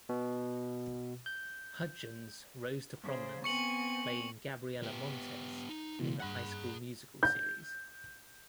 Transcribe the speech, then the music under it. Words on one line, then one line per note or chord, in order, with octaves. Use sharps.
Hudgens rose to prominence playing Gabriella Montez in the "High School Musical" series.
B2
G6
C#3 C5
B3 C4 G#5 C#6 C#7 F#7
B3 G4
D#4
C#2 B2 E3 G#3
G2 G#4 F#5 B5 F#6
G6